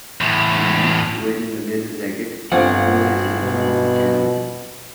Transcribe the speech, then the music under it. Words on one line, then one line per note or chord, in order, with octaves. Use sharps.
A man wearing a leather jacket poses in front of the camera.
E2 A2
G1 C4 F4 G4 F#5
B2